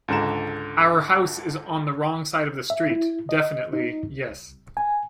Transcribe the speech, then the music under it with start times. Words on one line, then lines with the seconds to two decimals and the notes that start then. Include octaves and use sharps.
Our house is on the wrong side of the street — definitely — yes.
0.08 C#2 G#2 D3 A#5 E7
2.70 E5
2.90 E4
3.29 D#5
3.73 D#4
4.03 C2
4.77 G#5